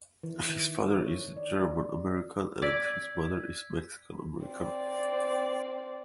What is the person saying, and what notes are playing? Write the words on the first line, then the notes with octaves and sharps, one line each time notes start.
His father is German American and his mother is Mexican American.
E3
D#3
C#5
D5
D5 E6 G#6 B6
C4 D5